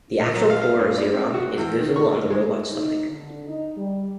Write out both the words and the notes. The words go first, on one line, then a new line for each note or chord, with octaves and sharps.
The actual core of Zeiram is visible on the robot's stomach.
A#2
F#3
F5
F5
G2
D5
C4
F#4
E2
D#3
C#6
G#3
D#4
D3
D#4
G3